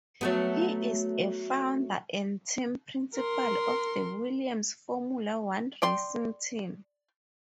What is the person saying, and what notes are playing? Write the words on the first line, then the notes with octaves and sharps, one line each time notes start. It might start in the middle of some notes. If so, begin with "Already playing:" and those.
He is a founder and team principal of the Williams Formula One racing team.
F#3 A3 B3
A#4 C6
D5 G5 C6